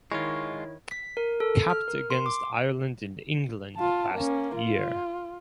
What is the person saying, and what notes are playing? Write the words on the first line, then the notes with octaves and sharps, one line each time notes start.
Capped against Ireland and England last year.
D#3 G#3 E4 F4 C#5 C#6
B6
A#4
A4
F6
A#4
C6
D6
F4 A5
A#3 C#4
F4